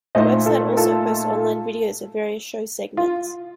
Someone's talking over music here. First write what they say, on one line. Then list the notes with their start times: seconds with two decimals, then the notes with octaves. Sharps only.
The website also hosts online videos of various show segments.
0.15 A#2 A3 D#4 C5 D#5
0.46 F4 A4
0.72 A#4
0.77 F4 A4
2.97 F4